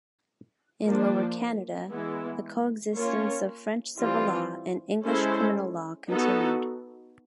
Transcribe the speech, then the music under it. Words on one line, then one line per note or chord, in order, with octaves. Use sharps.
In Lower Canada, the coexistence of French civil law and English criminal law continued.
F3 A#3 D4
E3 G#3 B3 E4
A#3 C#4 F4 A#4 C#5
E3 G3 C4 F4
G#3 C#4 E4 A4 C5
B3 D#4 F#4 A4